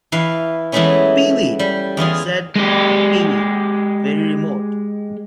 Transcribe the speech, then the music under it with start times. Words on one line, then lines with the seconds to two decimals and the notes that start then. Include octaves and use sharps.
"Peewit," said a peewit, very remote.
0.12 E3 B4 F5
0.72 E3 F#3 G#3 A3 B3 C#4
1.59 G3
1.97 E2 E3 F4 G#4
2.56 G#3 G4